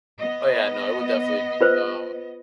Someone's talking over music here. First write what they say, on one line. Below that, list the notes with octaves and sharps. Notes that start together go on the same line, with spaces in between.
Oh, yeah, no, it would definitely become
B3 D#5
F4 B4 C5